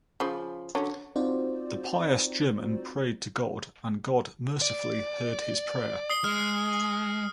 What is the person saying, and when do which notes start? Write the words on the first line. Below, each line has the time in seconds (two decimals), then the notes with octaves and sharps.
The pious German prayed to God, and God mercifully heard his prayer.
0.20 C#3 F3
0.75 D3 F#3 C#4
1.16 C4 D#4 F4 F#4 C5 D5
4.62 D5
6.10 D#6 C7 G7
6.24 G#3 F6